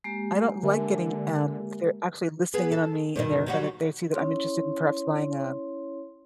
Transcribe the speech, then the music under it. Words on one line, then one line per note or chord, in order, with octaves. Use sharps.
I don't like getting, um, they're actually listening in on me and they're gonna they see that I'm interested in perhaps buying a
G#3 A#3 G4
D3 A#4 E5 G#5
B3 G#4
A4
G2 B2 D#3
F#3 G3 F#4
C#4 E4 C#5 C6